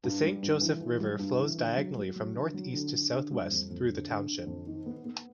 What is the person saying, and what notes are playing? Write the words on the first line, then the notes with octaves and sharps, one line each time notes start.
The Saint Joseph River flows diagonally from northeast to southwest through the township.
G2
G3
G2
E3
E3
G3
G2
E3
D3
F#3
F#3
F#3
D3
F#3
D3
D3
D3
G3
F2
F2
D3
D3
D3
F2
D#3
B3
B3